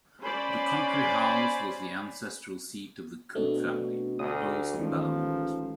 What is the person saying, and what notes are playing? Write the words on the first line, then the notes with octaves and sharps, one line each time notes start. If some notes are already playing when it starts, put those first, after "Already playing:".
The country house was the ancestral seat of the Coote family, Earls of Bellamont.
C#4 C5 D5 G#5 B5
B2 A3 C4 D4
D2 D#6
A1 D#3 F3 G#3